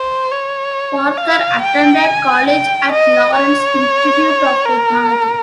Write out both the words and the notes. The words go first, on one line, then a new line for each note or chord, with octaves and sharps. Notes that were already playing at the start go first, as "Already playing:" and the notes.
Parker attended college at Lawrence Institute of Technology.
Already playing: C5
C#5
F5
G5
G#5
G5
D#5
C#5
A#4